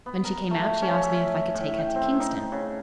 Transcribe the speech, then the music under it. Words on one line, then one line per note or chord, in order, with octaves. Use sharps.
When she came out she asked me if I could take her to Kingston.
B3
A#4
A3
C#4
E5
A2
G5
C4
D#4
C#3